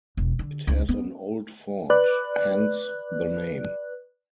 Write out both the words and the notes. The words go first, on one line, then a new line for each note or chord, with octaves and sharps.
It has an old fort, hence the name.
E1
D3
C#2
B3
B4 D5 F#6